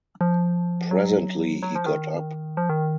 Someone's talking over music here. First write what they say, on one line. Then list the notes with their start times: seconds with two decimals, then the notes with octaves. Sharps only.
Presently he got up.
0.21 F3
0.91 F#3
1.63 F#3
1.75 F3
1.86 D#3
2.57 F3
2.70 D#3